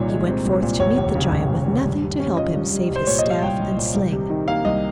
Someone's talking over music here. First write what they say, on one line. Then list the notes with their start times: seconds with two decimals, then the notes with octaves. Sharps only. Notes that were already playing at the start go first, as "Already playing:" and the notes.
He went forth to meet the giant with nothing to help him save his staff and sling.
Already playing: C2 A#2 D#3 C#5
0.09 G#3
0.28 C4
0.45 C2
0.63 A#2
0.80 F1 C#5
0.98 D#2
1.15 C#3
1.32 F1
1.49 F1
1.68 D#2
1.85 G2
2.03 G3
2.20 C#4
2.37 F4 D#5
2.55 G2
2.73 G3
2.90 C2
2.96 C5
3.07 A#2 C#5
3.19 D#5
3.25 G3
3.30 F5
3.42 C2 G5
3.60 C2
3.77 A#2
3.94 C2
4.12 C3
4.30 D#3
4.48 A#3 F5
4.65 C2 D#5